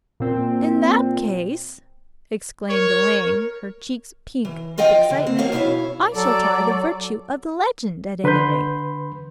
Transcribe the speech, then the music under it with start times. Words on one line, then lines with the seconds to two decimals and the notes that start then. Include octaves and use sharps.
"In that case," exclaimed Elaine, her cheeks pink with excitement, "I shall try the virtue of the legend, at any rate."
0.20 A#2 C4
2.70 A#4 C#5
4.45 E3
4.78 F3 F4 D#5 F5 G5
5.09 F2 D3
5.27 C4
5.39 F3 F#3 A#3 C#5 F5
5.52 D2 B2 E4 C#5 F5
6.14 F#3 A4 D5
8.24 D3 B4 B5 C6 G6